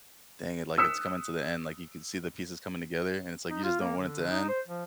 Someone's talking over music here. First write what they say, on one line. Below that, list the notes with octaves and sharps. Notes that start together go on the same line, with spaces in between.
dang it, like, it's coming to the end, like, you can see the pieces coming together, and it's, like, you just don't want it to end.
D#6 E6 F#6 B6 C#7 E7
D#4
F4
A#3
D3
D#4
C5
F3